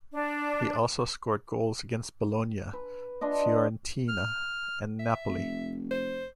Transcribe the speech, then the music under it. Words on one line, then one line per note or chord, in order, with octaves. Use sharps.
He also scored goals against Bologna, Fiorentina and Napoli.
D4
B4
D4 F4 D#5
F6
E5
F1
C5